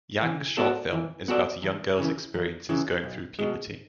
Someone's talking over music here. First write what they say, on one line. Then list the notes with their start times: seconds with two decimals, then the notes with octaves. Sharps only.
Yang's short film is about a young girl's experiences going through puberty.
0.22 E3
0.57 B3 F#4 A4 D5
0.92 E3
1.28 B3 F#4 A4 D5
1.62 E2
1.99 C#3 E3
2.34 E2
2.69 C#3 E3
3.03 B1
3.39 B2 G#3